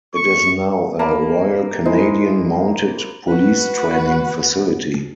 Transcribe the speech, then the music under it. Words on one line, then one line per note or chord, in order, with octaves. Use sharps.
It is now a Royal Canadian Mounted Police training facility.
C#6
A#3 A5 B5
G#3 E4 C5 D#5
F#4 B4